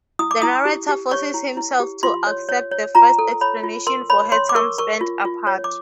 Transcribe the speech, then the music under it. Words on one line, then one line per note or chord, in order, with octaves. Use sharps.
The narrator forces himself to accept the first explanation for her time spent apart.
E4 D#6
D6
E4 D#6
G4
G4
C#5 C#6
E4
E4
G4
F4 C6
C#5
C#5
C#5
F4 A#5
A4
C#5 B5
F4
A#4 C6
C#5 B5
C#5 C6
D6
A#4 C#6
A#4 C#6
F4
F4
C#5
D6